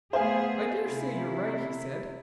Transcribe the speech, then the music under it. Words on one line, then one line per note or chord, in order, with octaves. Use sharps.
"I daresay you're right," he said.
A3 B3 G#4 C5 F5 G#5
C3 E4